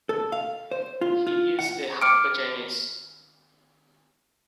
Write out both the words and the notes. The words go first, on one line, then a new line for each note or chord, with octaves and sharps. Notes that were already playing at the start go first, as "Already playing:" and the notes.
He is a Hakka Chinese.
A4
F5
C5
F4
F4
F#5
D6 F6 C#7 D7